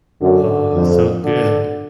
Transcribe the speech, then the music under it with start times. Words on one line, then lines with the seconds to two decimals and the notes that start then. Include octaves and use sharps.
Oh, so good.
0.21 F#2 D3
0.73 F2
1.24 D3